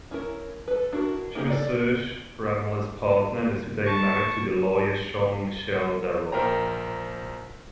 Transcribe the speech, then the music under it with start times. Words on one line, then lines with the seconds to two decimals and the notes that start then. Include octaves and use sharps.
She was Serge Bramly's partner and is today married to the lawyer Jean-Michel Darrois.
0.11 C#4 E4 A#4
0.68 A4 B4
0.93 D4 E4 F#4 A#4
1.35 A#3 D#4 G4 G#4 A#4
1.50 A4 D5
3.86 A5 C#6
6.32 A#1 A#4 C5 G5 A#5